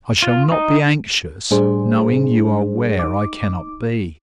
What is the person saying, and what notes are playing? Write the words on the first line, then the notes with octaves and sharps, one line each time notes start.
I shall not be anxious, knowing you are where I cannot be.
F4
D#4
A2 G3 D4 G#4 C5
D#4 D6